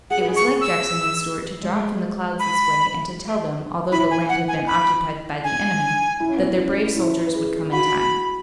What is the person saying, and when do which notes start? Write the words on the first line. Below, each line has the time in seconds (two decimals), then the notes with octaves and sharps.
It was like Jackson and Stuart to drop from the clouds this way and to tell them, although the land had been occupied by the enemy, that their brave soldiers would come in time.
0.10 G#4 F#5
0.20 B4
0.28 G#4
0.36 C#6
0.61 E6
1.63 G#3
2.40 B5
3.91 E4 B5
4.11 G#5
4.29 F#5
4.48 G#5
4.67 B5
5.44 G#5
6.20 E4
6.29 C#4
6.38 B3
6.47 C#4
6.59 C#4
6.96 E4
7.27 B4
7.35 G#4
7.72 F#4 B5